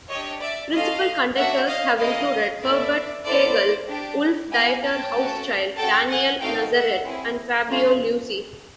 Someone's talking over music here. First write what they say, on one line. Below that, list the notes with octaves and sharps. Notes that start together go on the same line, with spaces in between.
Principal conductors have included Herbert Kegel, Wolf-Dieter Hauschild, Daniel Nazareth and Fabio Luisi.
D4 G4 C#5 D#5
D5 E5
C#4 F4 A4 D#5 F5
A#3 D4 F#4 E5 F#5
D#5 F5
A#3 C#4 E4 G#4 D#5 F5
B3 E4 A4 D5 E5
B3 E4 A4 C5 D5
D4 G4
B3 E4 G4 F#5 G#5
G5 A5
A3 C#4 F#4
C#4 F#4 A4 G5 A5
F#5 G#5
A3 C4 D#4 F#4 F5 G5
E5 F#5
C4 E4 G#4
A3 C#4 F4